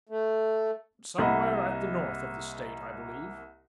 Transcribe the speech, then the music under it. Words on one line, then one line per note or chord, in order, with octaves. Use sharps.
"Somewhere at the north of the State, I believe."
A3
C2 A#3 D#5 F#5 B5